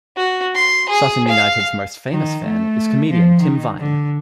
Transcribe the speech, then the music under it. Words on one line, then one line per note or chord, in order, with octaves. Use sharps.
Sutton United's most famous fan is comedian Tim Vine.
F#4
C6
G#4
F5
D#3
A3
F3
D#3
D3